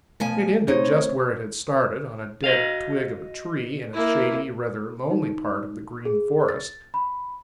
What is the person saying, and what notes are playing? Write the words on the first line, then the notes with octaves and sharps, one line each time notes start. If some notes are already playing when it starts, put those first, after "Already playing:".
It ended just where it had started, on a dead twig of a tree in a shady, rather lonely part of the Green Forest.
B2 F3 A3 G#5
C4 D#4 C5 C#5
F#4 D#5 F5
A#3 E4
D#4
G#4
A6
B5